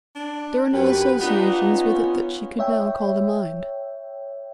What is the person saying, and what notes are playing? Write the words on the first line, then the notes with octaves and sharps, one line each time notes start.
There were no associations with it that she could now call to mind.
D4
F#2 G4 B4
B3 D4 D#4 F4
C#4
C#5 E5 G5